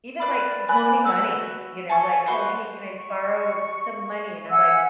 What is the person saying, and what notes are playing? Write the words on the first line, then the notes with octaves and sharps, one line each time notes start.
Even, like, loaning money, you know, like, "Oh, hey, can I borrow some money?" And I'm like
B4 D5 F5 B5
D5 G#5 B5 F#6
F#4 B4 E6 F#6
A4 G#5 C#6
F#4 B4 C5
C#6
E5 F#5 G#5 E6